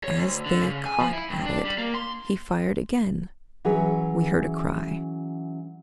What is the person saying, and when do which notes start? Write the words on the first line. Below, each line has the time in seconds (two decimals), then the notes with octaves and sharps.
As they caught at it, he fired again--we heard a cry--.
0.04 C#5
0.17 D2
0.46 D3
0.62 C#3
0.86 G#5
1.00 F3
1.13 E4
1.30 G2
1.46 D4
1.65 G3
1.78 A#3
1.94 C6
3.65 E3 F#3 C#4 G#4 B4